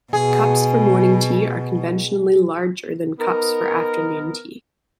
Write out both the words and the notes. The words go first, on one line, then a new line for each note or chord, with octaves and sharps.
Cups for morning tea are conventionally larger than cups for afternoon tea.
B2 G#4
B3 D#4 A#4